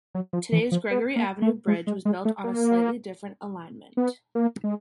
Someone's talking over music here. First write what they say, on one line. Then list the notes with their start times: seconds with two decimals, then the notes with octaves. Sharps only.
Today's Gregory Avenue Bridge was built on a slightly different alignment.
0.15 F#3
0.33 F3
0.52 E3
0.72 F3
0.91 B3
1.16 A#3
1.42 A3
1.67 G#3
1.87 G#3
2.05 G#3
2.25 A3
2.44 A#3
3.97 B3
4.35 A#3
4.64 G#3